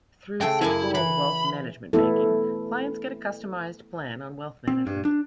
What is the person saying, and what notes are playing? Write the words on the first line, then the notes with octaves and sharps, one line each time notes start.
Through Citigold Wealth Management Banking, clients get a customized plan on wealth management.
C#3 A3 G5 C6
F#2 E4 F5 G#5
E3 B5
A3 B3 E4 A4
C4
G2
D4